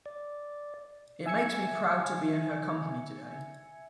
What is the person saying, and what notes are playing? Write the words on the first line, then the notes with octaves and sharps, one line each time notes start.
It makes me proud to be in her company today.
D5
E5 G#5 E6 G#6 C#7